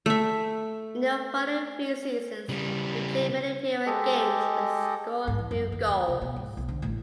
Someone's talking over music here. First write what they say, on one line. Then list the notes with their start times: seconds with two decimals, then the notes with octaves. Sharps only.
In the following three seasons he played many fewer games and scored few goals.
0.06 A3 E5
2.49 C#3 G3
3.86 G#3 G4 A4 D#5
5.27 G#2
5.39 E3
5.51 F#2
5.72 D#3
5.86 D#2
6.08 C3
6.22 B2
6.36 G#2
6.57 B1
6.68 D3
6.82 A1